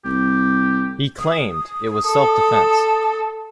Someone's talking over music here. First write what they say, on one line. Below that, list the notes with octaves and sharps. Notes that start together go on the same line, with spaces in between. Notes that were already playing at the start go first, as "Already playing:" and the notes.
He claimed it was self-defense.
C2 G4
D#6
A4